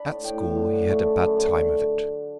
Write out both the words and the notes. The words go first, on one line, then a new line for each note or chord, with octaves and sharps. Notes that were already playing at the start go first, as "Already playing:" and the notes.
At school he had a bad time of it.
Already playing: D4 B5
A2
A2 G5
A2
D3
D3
A3
F#2
F#2
D3